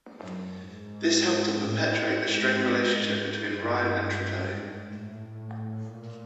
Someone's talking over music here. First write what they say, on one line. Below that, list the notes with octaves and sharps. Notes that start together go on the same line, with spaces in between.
This helped to perpetuate the strained relationship between Ryan and Trudeau.
F#2
G#2
A2
G#2
G#2
G2
G#2
A2
A#2